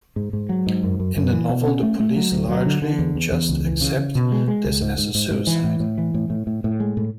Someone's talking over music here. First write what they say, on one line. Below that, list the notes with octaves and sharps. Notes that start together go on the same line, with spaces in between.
In the novel the police largely just accept this as a suicide.
G#2
G#2
F#3
G#2
F#2
F#2
F#2
E3
B2
C#4
A3
A3
F#3
D2
F#3
D3
D3
E2
E2
E2
C#2
E3
C#3
C#3
B2
G#3
G#3
C#2
G#2
G#2
G#2
G#2
E3
A2
A2
E3
A2
A2
A2
A2
G#3
A2